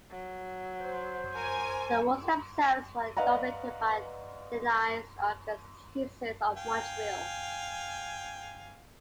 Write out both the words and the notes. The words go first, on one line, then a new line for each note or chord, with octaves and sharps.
The awards themselves were dominated by Denys Arcand's "Jesus of Montreal".
F#3
C5
A#4 G#5
B4 D5 D#5 F5 F#5 A#5
F5 G5 G#5